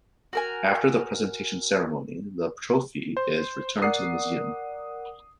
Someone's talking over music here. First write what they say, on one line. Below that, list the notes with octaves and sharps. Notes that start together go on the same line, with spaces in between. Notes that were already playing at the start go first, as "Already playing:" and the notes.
After the presentation ceremony, the trophy is returned to the museum.
F#4 A#4 G#5
C5
A#4 D5 F#5 D#6 C7